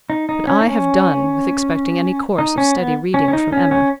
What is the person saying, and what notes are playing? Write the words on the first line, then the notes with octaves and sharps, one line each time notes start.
But I have done with expecting any course of steady reading from Emma.
D#4
D#4
C#4
D#4
C#4
D#4
C#4
B3
C#4
C#4
D#4
C#4
C#4